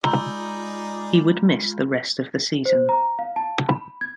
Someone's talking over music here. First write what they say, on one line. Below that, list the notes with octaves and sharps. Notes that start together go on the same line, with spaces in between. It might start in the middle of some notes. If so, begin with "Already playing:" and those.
He would miss the rest of the season.
G#3 D#4 F4 G#4 D5 A#5 B5 G6
C5
A#5
F5
A5
B5
G#6